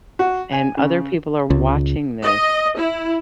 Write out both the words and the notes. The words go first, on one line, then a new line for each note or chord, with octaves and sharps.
and other people are watching this,
F#4
G#5
C#3
C#2
D#5
E4